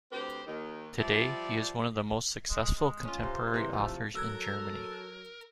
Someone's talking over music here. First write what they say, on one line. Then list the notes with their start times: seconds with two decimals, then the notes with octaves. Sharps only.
Today he is one of the most successful contemporary authors in Germany.
0.12 D2 C4 G4 B4 C5
0.47 D#2 D#3
0.99 F3 G3 D5 E5
2.50 G#3
2.76 G#3
3.05 C#4 F4
3.23 C3 C5
3.54 C3 E3
3.73 F3 A3
4.15 F#3 A4 A#4 E6 F#6 G#6